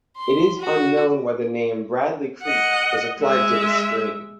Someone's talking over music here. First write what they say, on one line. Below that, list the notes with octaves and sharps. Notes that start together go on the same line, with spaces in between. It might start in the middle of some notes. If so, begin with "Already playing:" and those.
It is unknown why the name "Bradley Creek" was applied to this stream.
C6
F#4
D#5 F#5
G#3 E5